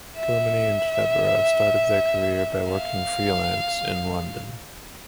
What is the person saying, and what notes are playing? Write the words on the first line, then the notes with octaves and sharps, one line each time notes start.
Kilmeny and Deborah started their career by working free-lance in London.
E5
F5